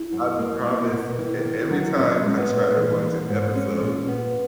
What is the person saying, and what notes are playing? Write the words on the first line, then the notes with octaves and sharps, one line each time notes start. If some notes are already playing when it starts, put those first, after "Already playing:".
I promise e every time I try to watch an episode,
Already playing: E4
F#2
A#3
A#3
B2
D#3 E4
D#3
F#3
A#2 C#4
G#3
B3
A#2
E3
A#3
G#2
G#3 C#4
A#2
B3